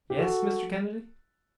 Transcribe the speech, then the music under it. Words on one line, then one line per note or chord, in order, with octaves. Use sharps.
"Yes, Mr. Kennedy?"
G4
F#4 A4